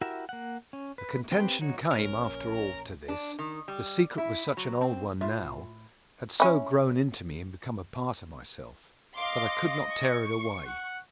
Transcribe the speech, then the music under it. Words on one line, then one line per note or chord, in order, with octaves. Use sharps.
The contention came, after all, to this;--the secret was such an old one now, had so grown into me and become a part of myself, that I could not tear it away.
E4 F#4 G4 A#4 E5
A#3 F#5
C#4
B4
C4 G4 B4 G5 C6
D#4 F#4 C#5
A#1 C#4 A#4
D4
D#3
G3
E4
F#3
C4
A2 F4 E5
C#4 E4
D#5 F5 C6 D6
C#6
F#5